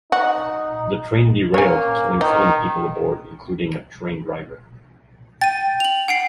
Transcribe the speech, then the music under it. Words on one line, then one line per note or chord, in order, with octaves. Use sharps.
The train derailed, killing seven people aboard, including the train driver.
D#4 F#4
A#3 C#4 C#5
D#3 F3 D#4
G5 A6 D#7
F7 F#7
F#5 G5 C7